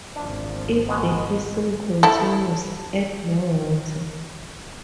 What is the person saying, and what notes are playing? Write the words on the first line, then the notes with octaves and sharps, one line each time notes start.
If the hissing continues, add more water.
G#1 F3 D4
B2 G#3
E4 A4